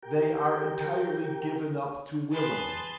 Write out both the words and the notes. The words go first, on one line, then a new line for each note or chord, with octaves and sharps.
They are entirely given up to willing.
G4 A#4 G5
G#4 B4 A5 C6